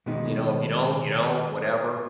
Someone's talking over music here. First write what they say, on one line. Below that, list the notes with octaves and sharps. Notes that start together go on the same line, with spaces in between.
you know, "If you don't, you don't, whatever."
B2 D#3 G#3 B3 D#4